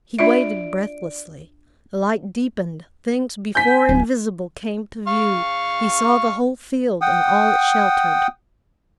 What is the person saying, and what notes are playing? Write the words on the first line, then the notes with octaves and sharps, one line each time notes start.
He waited breathlessly. The light deepened; things before invisible came to view; he saw the whole field, and all it sheltered.
D4 F4 D5 E5 D7
G#5 G6 B6
D1
F5 C#6
F#5 G5 D#6